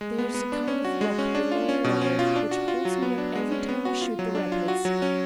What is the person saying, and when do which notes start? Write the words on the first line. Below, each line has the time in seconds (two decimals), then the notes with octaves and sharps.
There's a kind of rock below water which holds me up every time I shoot the rapids.
0.01 G#3
0.18 B3
0.34 B3
0.52 D4
0.68 C#4
0.85 F#4
1.01 G#3
1.18 C#4
1.35 D4
1.51 F4
1.69 C#4
1.84 B2
2.02 C#4
2.19 F4
2.36 D4
2.51 F#4
2.68 F4
2.85 F#3
3.02 B3
3.18 D4
3.35 G#3
3.52 C#4
3.69 B3
3.85 F#4
4.01 F4
4.19 F#3
4.35 D4
4.52 F4
4.68 F#4
4.85 F#3
5.02 C#4